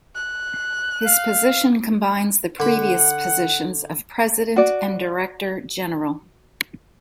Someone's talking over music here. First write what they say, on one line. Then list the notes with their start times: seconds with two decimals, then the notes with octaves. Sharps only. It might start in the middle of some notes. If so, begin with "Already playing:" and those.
His position combines the previous positions of president and director general.
0.15 F#6
1.05 F5
2.60 D3 F#5 B5
4.56 F#4 D5